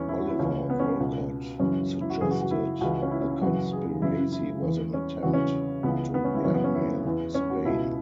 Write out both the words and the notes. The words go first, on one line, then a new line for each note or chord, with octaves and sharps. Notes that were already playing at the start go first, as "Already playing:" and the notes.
Oliver Wolcott suggested the conspiracy was an attempt to blackmail Spain.
Already playing: E2 E3 C#4
E4
F#4
E4
C#2 C#3 E3 C#4
B3
C#4
C#2 B2 F#4
F#2 C#3 E3 C#4
E4
F#4
F#2 C#3 E3 G#4
F#4
F#4
E4
C#2 C#3 E3 F#4
C#4
E4
C#4
E4
F#2 C#3 E3 F#4
G#4
F#2 C#3 E3 E4
E4
E2 E3
C#4
E2 C#3 E3 F#4
C#4
C#2 C#3 E3 B3
B3
C#4
E4
F#2 C#3 E3 C#4
B3
C#4
E4
E2 E3
C#4
F#4
C#2 B2 E4